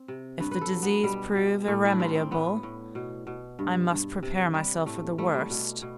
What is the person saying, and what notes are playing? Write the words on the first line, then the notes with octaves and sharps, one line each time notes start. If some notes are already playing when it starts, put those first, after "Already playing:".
If the disease prove irremediable, I must prepare myself for the worst.
Already playing: C4
C3
G2 B4
B4
A4
F#3
B3
B2 G3
B2
A2 A3
E4
D4
G3 C4
C4
A2 B3
A2
B2
B2
G2
G2
C3
C3 G3
A2 A3
G3 A3
G3
B2
B2